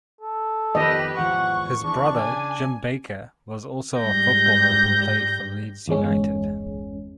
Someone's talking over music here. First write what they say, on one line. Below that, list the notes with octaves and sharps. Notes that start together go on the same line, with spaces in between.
His brother Jim Baker was also a footballer who played for Leeds United.
A4
F2 D#3 B3 G4 B4 D#5
G#1 E2 F3 F#5 C#6
E2 E3 D4
C#3 G#5
G#2 G3 G6 A#6
G1 E2 G#3 C#4